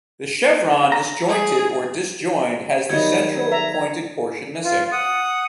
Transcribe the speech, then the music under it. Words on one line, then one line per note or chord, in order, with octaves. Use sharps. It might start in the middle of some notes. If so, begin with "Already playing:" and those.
The chevron disjointed or disjoined has the central, pointed portion missing.
A#5
G#4
D#3 F#3 G3 D#4 D#5 G#6
E5 A#5
F4
F#5 D#6